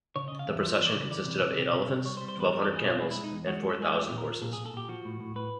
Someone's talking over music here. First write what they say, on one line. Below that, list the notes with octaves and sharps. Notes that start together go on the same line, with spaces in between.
The procession consisted of eight elephants, twelve hundred camels, and four thousand horses.
C#3 C#5
C#3 D#5
F5
E2 E5
F3
E2
D5
C#3
E3 D5
C3
C3
C3
C3
C3
G3 C#5
C5
G3
C5
E2 B4
E2 A#4
G3 A4
G#4
B2 F4
G#3 E4
G#3 E4
D#4
E2
G#3 F#4
F3
A4
G#3 G#4
A3 G4
A#2
A#4
F3
A#2 A4
A#2 G#4
A4
A#2 G4
F3 F#4
A2
A2
A2 B4